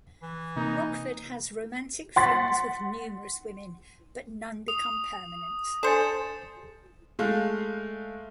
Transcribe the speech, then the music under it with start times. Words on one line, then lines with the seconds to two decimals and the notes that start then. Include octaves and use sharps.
Rockford has romantic flings with numerous women, but none become permanent.
0.22 E3
0.56 C3 A#3 D#4
2.16 F#5 C6 A6 B6
4.68 D#6 F7
5.83 D4 A4 C5 G#5 A6 C#7 E7
7.19 G#3 A3 F5